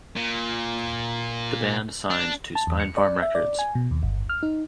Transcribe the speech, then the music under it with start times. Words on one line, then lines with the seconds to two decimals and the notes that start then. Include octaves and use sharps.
The band signed to Spinefarm Records.
0.16 A#2
2.11 D4
2.55 A5
2.67 E2
2.80 C#7
2.97 D5
3.22 E5
3.35 D5
3.59 G#5
3.75 B2
3.91 D#2
4.03 G1
4.29 F6
4.43 D#4